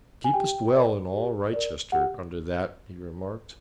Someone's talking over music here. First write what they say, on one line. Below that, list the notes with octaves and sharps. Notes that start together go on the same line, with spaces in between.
"Deepest well in all Wrychester under that," he remarked.
G#5
G4 G5
A#4 D5
G4
A#4 D5
G4 F#5